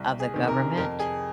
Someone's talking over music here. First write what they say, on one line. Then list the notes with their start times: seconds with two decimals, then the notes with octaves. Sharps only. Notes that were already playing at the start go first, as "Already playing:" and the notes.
of the government
Already playing: C2
0.20 G#4
0.34 C3 D#3
0.48 A#4
0.77 F2 A#4
1.00 G#4